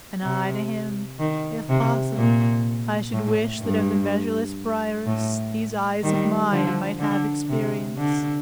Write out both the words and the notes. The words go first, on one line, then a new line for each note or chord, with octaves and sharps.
And I to him: "If possible, I should wish That of the measureless Briareus These eyes of mine might have experience."
C3
D#3
C3
A#2
A2
G2
A2
D#3 G3
D3 F3
D3
C3
D3